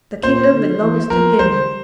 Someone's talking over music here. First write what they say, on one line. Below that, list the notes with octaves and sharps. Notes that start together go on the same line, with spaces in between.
"The kingdom belongs to him."
A#2 C5
D3
E3
F3 A#4
G3 C5